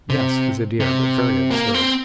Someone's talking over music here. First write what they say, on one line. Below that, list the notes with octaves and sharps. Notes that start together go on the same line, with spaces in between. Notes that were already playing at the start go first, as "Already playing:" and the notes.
"Yes, he's a dear, but very absurd."
C3
C3
A#3
C4